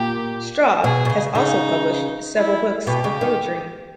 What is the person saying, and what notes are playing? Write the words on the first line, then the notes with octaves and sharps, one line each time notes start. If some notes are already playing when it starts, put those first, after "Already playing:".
Straub has also published several books of poetry.
Already playing: A#2 G4
B2 G#4
B2
C#3
C#3 D#4
E4
B2 G4
C#3
D#3